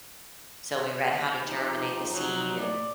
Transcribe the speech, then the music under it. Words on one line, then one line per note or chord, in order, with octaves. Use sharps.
So, we read how to germinate the seed and
F3 D#4 G4
F#3
D5